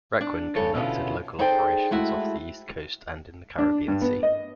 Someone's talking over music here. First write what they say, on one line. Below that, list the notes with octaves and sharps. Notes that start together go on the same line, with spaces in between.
"Requin" conducted local operations off the East Coast and in the Caribbean Sea.
D4
G2 C#3 A4 C#5 G#5
B2 D3 B3 C#4 E4 F4
D#4 G#4 A4 C5 D5 G5
G#3 A3 E4 F#4
D4
G2
B3
D#5